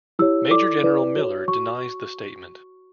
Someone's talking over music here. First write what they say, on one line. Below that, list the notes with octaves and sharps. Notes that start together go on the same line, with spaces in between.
Major General Miller denies the statement.
E4 G4 C#5 E6
E4 A4 D5 D6
E4 B4 D5
F#4 C#5
F#4 C#6